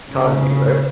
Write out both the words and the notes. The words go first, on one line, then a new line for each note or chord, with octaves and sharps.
kanji, right?
C#3